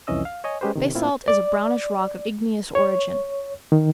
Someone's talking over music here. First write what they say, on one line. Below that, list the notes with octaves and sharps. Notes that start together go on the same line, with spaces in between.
Basalt is a brownish rock of igneous origin.
C2 F2 E3 C#4 D#5 E6
F5
C#5 D#5 G#5
G#3 C#4 G4 B4 C5
C3 D#3
A2 A#3 C4 E4 F4
D5
C#5
D#3